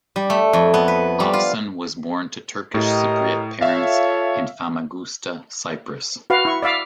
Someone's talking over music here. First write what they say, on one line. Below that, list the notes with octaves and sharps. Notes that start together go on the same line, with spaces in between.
Ozsan was born to Turkish Cypriot parents in Famagusta, Cyprus.
G3
A3
F2
B3
B4
G3
F4
A2 G4 A#4 D#5
F4 A4 C#5 E5 F5
F#4 B4 F5
E4 C#6
D5 E5 F5 D6